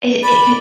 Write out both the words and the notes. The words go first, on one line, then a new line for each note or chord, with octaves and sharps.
It it could
D5 B5